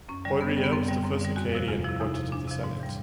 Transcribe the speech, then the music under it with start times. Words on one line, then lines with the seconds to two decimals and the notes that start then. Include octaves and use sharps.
Poirier was the first Acadian appointed to the Senate.
0.09 F#2 C#4
0.25 D3 G3
0.41 F#2 B3
0.57 D3 G3
0.64 B3
0.72 F#2 C4
0.89 D3 G3
1.04 F#2 C4
1.21 D3 G3
1.36 E2 F#4
1.52 C3 F3 F#4
1.68 E2 F4
1.84 F3 E4
1.89 C3
1.96 E4
2.00 E2 D#4
2.16 C3 F3
2.32 E2 D4
2.48 C3 F3
2.64 G#2
2.80 E3 G3